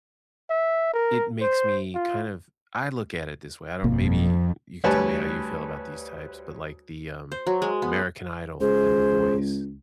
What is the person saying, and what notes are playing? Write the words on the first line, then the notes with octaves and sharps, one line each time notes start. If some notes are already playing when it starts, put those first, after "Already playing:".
it makes me kind of I look at it this way; I don't maybe you could tell me how you feel about these types, but, like, the, um, American Idol and The Voice.
E5
A#4
C5
F4
G1 F2 B2 A#3
D2 G3 B4 C#5 G#5 A5
C5
F#3
G#3
B3
C#2 G#4 C5